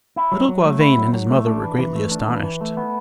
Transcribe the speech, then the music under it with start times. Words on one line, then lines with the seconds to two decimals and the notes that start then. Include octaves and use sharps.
Little Gauvain and his mother were greatly astonished.
0.16 E4
0.32 F#3
0.49 F#3
0.65 A3
0.81 E4
0.97 F#3
1.13 F#3
1.30 A3
1.47 D4
1.63 E3
1.79 E3
1.96 A3
2.11 D4
2.28 E3
2.43 E3
2.61 A3
2.77 B3